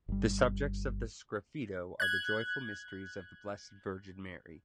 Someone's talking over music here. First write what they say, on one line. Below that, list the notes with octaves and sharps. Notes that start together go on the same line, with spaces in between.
The subjects of the sgraffito are the Joyful Mysteries of the Blessed Virgin Mary.
G1 G3
F#6 G#6